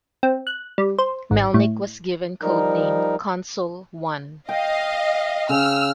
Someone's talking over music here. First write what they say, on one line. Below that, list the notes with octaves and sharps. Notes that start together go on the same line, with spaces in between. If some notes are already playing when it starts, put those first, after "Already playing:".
Melnik was given code name 'Consul I'.
C4
F#6
G3
C5
G#1
A2
F3 G3 D#4 A#4
D#5 F5 G5
C#3 E6 F6